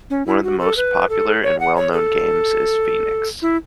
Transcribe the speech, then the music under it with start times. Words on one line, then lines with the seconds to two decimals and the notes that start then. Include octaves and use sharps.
One of the most popular and well-known games is Phoenix.
0.10 C#4
0.27 E4
0.44 F#4
0.60 A4
0.77 B4
1.09 A4
1.43 C#5
1.60 F#5
1.76 C#5
1.93 A4
3.42 E4